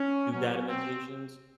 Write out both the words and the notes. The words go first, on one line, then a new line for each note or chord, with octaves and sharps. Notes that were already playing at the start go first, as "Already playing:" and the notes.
do guided meditations.
Already playing: C#4
B2 F#3 C#4
C4